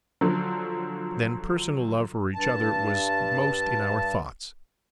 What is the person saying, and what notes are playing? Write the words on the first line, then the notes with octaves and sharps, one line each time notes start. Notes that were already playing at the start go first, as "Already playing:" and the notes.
Then personal love for each other was most in our thoughts.
D3 F3 F#3
G2 A5